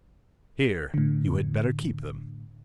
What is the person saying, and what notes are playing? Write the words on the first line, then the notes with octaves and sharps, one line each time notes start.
'Here, you had better keep them!
A2 D3